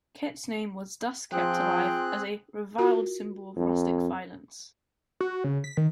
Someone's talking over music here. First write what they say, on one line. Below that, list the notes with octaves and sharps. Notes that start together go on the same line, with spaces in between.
Kett's name was thus kept alive as a "reviled symbol of rustic violence".
F3 C4 F4 G#4 G5 F#6
F4 F#4 A#4
F2
F#4
C#3
B6
D#3